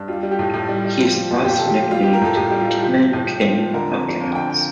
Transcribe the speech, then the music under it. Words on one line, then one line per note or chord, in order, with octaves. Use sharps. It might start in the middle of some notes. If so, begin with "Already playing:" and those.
He is thus nicknamed "Demon King of Chaos".
Already playing: G2
G3 F4
G3
G4
A2
A2
G3
G3
F3
F3
A#2
A#2 G4
F3 A4
G4
F3
G3 F4
G3 G4
A#4
A2 A4
A2 G4
G3 G4
F4
G3
F3 G4
F3
A2
A2
F3
F3
D3 A#4
F2
F3
F2
D3 G5
G5